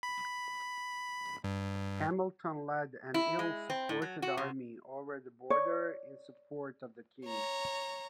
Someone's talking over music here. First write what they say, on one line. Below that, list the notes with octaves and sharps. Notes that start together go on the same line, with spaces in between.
Hamilton led an ill-supported army over the border in support of the king.
B5
G2
E4
G#3
C4
A2
F#3
F#4
C3
C#5 D5
C#5 A#5